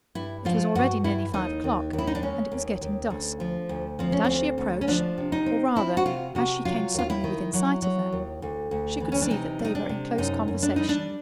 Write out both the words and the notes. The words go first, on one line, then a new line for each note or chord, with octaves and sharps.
It was already nearly five o'clock, and it was getting dusk; but as she approached, or rather as she came suddenly within sight of them, she could see that they were in close conversation.
G2 E4
F3 F4
G2 F#4
G2 E4
D#2 D#4
D#2
D#2
E4
D#4
D4
G#3 C#4
D#2
D#2
D2
F3
D2
F3 C4
C#4
D2 C4
D2
C#4
F3 D4
C3
D#4
C4
C4 E4
F#4
C3 F4
C3 F#4
F#3 F4
D#2 F4
E4
D#3
F#3
F#3
D#2
D2
D2
E3
C#4
D4
C3 D#4
G3
D#4
D4
C3
F#2 D#4
F#2
D4
G3 D#4
D4